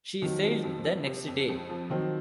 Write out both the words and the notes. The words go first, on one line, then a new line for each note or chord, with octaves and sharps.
She sailed the next day.
F2 D#3 F#3
F3
F2
F3
C3
F2
F2
F3
D#3 F#3 C4